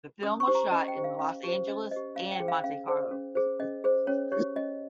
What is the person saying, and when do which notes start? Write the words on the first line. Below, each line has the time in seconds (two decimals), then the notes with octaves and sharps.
The film was shot in Los Angeles and Monte Carlo.
0.23 C#4 D#6
0.40 C#6
0.48 G4 C5
0.55 A#5
0.72 C#4 D#5
0.88 G5
0.95 G4 C5
1.04 F5
1.19 C#4 F5
1.43 G4 C5
1.67 C#4 D#5
1.91 G4 C5 D#5
2.15 C#4 F5
2.31 G5
2.40 G#4 C5
2.48 F5
2.64 C#4 F5
2.88 G#4 C5
3.11 C#4
3.35 G#4 C5
3.60 C#4 D#5
3.84 G#4 C5
4.07 C#4 C#5
4.32 G4 C#5
4.56 C#4 D#5